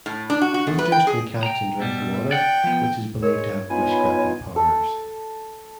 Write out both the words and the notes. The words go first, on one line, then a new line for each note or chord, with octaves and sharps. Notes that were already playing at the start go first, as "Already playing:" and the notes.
Visitors can catch and drink the water, which is believed to have wish-granting powers.
A2
D4
F#4
F#4
E2
B4
G5
G#4
G5 A#5
B2 G3 E5
D5 F#5 G5
F3 B3
G#3 A#4 C#5
B3 D#4 F4 C#5 G#5 B5
A4